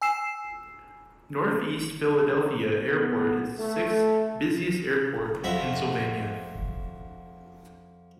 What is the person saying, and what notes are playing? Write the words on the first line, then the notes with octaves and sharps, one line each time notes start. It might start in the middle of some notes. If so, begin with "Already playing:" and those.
Northeast Philadelphia Airport is the sixth busiest airport in Pennsylvania.
G#5 E6 C7 E7
B3
A3
F2 F#4 E5